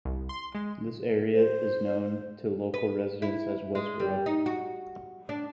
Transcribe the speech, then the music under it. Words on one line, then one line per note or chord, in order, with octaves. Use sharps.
This area is known to local residents as Westborough.
C2
C6
G#3
C5
B4
E4
G#3
G3
D#4
F#4
D4